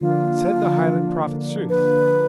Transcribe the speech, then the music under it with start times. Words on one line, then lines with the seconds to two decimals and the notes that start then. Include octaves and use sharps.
'Said the Highland prophet sooth?
0.01 D3 F3 A#3 D4 F4
1.69 B4